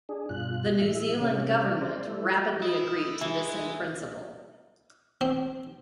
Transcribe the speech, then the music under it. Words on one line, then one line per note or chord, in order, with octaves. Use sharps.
The New Zealand Government rapidly agreed to this in principle.
D4 G#4
G2 B2 F4 F#6
A2 E3 A3 E5
C3 C#4
C5 D5
G3 A3 E4 A4
E4 D#5
E3 G#3 E4 G#4
C4